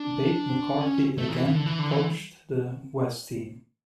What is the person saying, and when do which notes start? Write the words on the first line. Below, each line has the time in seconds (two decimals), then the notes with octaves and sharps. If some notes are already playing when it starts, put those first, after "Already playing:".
Babe McCarthy again coached the West team.
Already playing: D4
0.81 C#4
1.18 A3
1.29 E3
1.46 E3
1.55 D3
1.66 E3
1.79 D3
1.91 E3